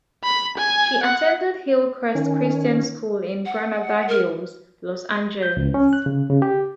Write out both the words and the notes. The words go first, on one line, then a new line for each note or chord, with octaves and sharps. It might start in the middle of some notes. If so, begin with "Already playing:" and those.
She attended Hillcrest Christian School in Granada Hills, Los Angeles.
B5
G#5
F#5
D#3 C#4
F#5
A#4
G6
C#2
C#4
F#6
C#3
C#3
G4